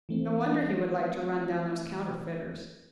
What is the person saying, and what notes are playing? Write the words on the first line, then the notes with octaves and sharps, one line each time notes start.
No wonder he would like to run down those counterfeiters.
E3 A3 C4